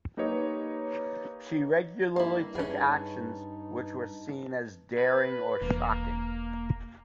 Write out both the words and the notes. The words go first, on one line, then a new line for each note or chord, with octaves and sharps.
She regularly took actions which were seen as daring or shocking.
A#3 D#4 G4 B4 C#5 D#5
G2 A#3 E4
G2 C#4 D#4 G#4 B4 A5
B4
E1 A#3